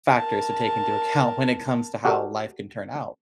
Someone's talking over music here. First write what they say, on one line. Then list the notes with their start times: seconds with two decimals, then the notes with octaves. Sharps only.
factors to take into account when it comes to how life can turn out.
0.16 A#4 A5
2.05 F#4 G4 A4 A#4 D5